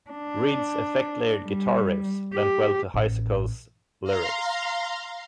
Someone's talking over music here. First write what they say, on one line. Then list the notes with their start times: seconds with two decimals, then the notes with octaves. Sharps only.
Reed's effect layered guitar riffs lent well to Heiskell's lyrics.
0.11 D4
1.46 G3
2.34 G4
2.94 A1
4.04 F5 A#5 C6